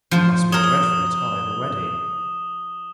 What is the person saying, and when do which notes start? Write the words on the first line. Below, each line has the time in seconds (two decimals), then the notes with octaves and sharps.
'You must be dreadfully tired already.'
0.11 F3 C5
0.52 A#4 C#5 D#6 E7 G7